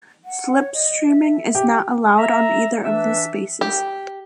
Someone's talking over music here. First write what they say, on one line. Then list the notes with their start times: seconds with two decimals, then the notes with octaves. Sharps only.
Slipstreaming is not allowed on either of these spaces.
0.25 F#5
0.57 C#5
0.73 D#5
1.08 E5
1.55 G4
2.17 E5 A#5
2.83 E3 D4 E5
3.61 G4